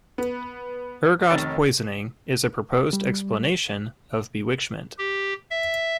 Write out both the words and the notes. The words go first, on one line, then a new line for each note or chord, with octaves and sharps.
Ergot poisoning is a proposed explanation of bewitchment.
B3
F1 D#3 C#5 A6
G3
G4
E5